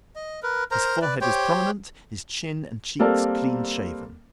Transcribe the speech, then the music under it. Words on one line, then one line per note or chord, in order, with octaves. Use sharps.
His forehead was prominent, his chin and cheeks clean shaven.
D#5
A#4 B4
A#4 C5 A#5
B4 D5
G4 C5 C#5 G5
G3 A#3 C4 A4 A#4 D5